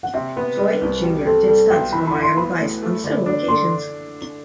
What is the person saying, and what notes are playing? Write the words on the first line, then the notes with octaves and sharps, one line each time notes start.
Joie Junior did stunts for "Miami Vice" on several occasions.
F#5
C3 E5
B3 B4
G3
C2
B2 G4
C4 A4
G3 A4
B1 G5
E3 B5
B5
E4
C6
B3 B5
A2
A3
D3
D4
D3 C6